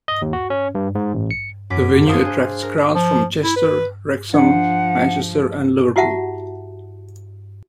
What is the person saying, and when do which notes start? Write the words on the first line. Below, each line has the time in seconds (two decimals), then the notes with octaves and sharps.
The venue attracts crowds from Chester, Wrexham, Manchester and Liverpool.
0.08 D#5
0.22 D#2
0.33 F#4
0.50 C#4
0.75 G2
0.95 G#2
1.14 A1
1.31 C#7
1.70 F#2 D6 B6
2.06 C5 F5 A5 D#6 F#6
2.23 D4 G#4 C5
2.62 A#4
2.95 F3
3.43 E4
3.56 B4
4.34 F3 D4 F#5
5.96 E4 F#4 G4 E5 F#5 A5